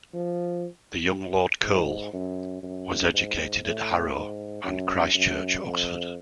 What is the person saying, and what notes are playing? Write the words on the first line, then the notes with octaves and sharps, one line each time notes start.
The young Lord Cole was educated at Harrow and Christ Church, Oxford.
F3
G#2
F#2
F#2
G#2
A2
G#2
F#2
F#2
F2